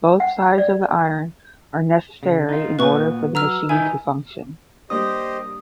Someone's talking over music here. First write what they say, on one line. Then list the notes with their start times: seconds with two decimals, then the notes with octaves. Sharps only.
Both sides of the iron are necessary in order for the machine to function.
0.20 F#5
0.58 D5
2.23 C#3
2.49 D#4 F4
2.79 A#2 B3 B4 C#6
3.35 F#3 A#5 E6 F6
3.69 D#3 D#4 E4 G#5
4.90 G3 A#3 D4 G4 C5 D#5 D#6